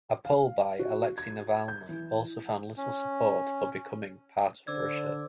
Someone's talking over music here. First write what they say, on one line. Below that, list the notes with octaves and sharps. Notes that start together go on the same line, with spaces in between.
A poll by Alexei Navalny also found little support for becoming part of Russia.
F5
F#4
G#6
G6
E3
C#4
D3 C5 D5 D6 E6 G#6